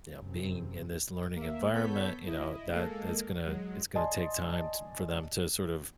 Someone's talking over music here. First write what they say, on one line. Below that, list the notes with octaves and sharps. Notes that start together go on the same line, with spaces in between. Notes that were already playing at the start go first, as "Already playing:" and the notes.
you know, being in this learning environment, you know, that that's gonna it's gona take time t for them to sort of
F#2 C3
A#3 E5
B3 A4 C#5 G6 B6
E4 D#5
G#3 A#3 A4
F#3 G#3
D5 D#5 G#5 A5 C6